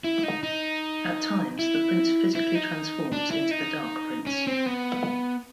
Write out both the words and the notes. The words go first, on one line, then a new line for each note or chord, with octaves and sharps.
At times, the Prince physically transforms into the Dark Prince.
E4
D#4
D#4
E4
E4
D#4
D4
E4
D#4
C#4
C4
B3